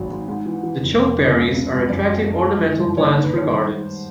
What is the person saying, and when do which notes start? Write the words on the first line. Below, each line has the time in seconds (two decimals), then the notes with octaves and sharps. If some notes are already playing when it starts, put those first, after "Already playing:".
The chokeberries are attractive ornamental plants for gardens.
Already playing: G#1 F#3
0.10 G#2
0.28 G#2
0.46 E3
0.63 E3
0.81 F1
1.00 F1
1.18 C#3
1.35 C#2
1.53 C#3
1.71 C#2
1.89 F#2 D5
2.07 F#3
2.24 A3
2.43 G#3
2.61 E3
2.78 G2
2.97 D#2 C#5
3.10 D#3 C#5
3.23 B4
3.32 D#3
3.37 C#5
3.50 G3 C5
3.69 G#2